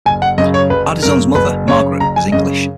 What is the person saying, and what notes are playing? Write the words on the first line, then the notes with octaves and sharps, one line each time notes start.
Ardizzone's mother, Margaret, was English.
F#1 G#5
F#5
F#2 C#3 D#5
C#5
F#1 B4
F#2 C#3 A#4
F#1 B4
F#2 C#3 C#5
F#1 A#5
G#5
F#2 C#3 D#5